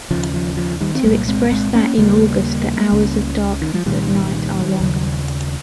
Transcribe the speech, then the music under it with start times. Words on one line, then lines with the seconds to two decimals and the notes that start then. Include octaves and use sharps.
To express that in August the hours of darkness at night are longer.
0.11 D#2 C#3 F3
0.34 F3
0.57 F3
0.81 D#3 G3
0.95 C4
1.04 C2 A#2 G3 A#3
1.28 G#3 C4
1.52 G#3 C4
1.75 A#3 C#4
1.98 D#2 C#3 G3 A#3
2.93 C#2 C#3
3.62 D#3
3.74 F3
3.86 C2 A#2 D#3 G3
4.80 D#2 C#3